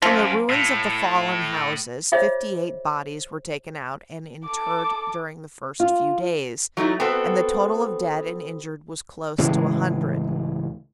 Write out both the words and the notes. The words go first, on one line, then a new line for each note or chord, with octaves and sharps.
From the ruins of the fallen houses fifty-eight bodies were taken out and interred during the first few days, and the total of dead and injured was close to a hundred.
F#2 F3
A2
F4 G#4 C5 C#5 D#5 E5
A4 D6
F4
F#3 A3 D#4 E4
B3 C4 F#4 A4
C#2 A2 E3 G#3